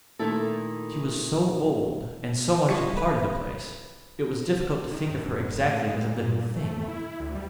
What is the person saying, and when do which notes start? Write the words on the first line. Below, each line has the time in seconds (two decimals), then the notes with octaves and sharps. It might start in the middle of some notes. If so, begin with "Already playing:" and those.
She was so old and so much a part of the place, it was difficult to think of her exactly as a living thing.
0.19 A#2 D#3 A3 E4 A4
2.69 G3 E4 F4 D#5 C#6
2.97 B4
4.91 D#3
5.11 F#2
5.49 D1
5.63 A2
5.86 G#3
6.07 A#2
6.55 A3
6.88 E4
7.20 D2
7.35 G3